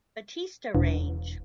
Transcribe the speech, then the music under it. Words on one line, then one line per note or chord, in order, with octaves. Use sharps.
Batista range.
E1